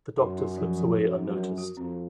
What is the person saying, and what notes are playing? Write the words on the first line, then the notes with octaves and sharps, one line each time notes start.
The Doctor slips away unnoticed.
F#2 D#4
D#4
F3
F3
F#2 F#4
C4
A#4
F#4
F2 C4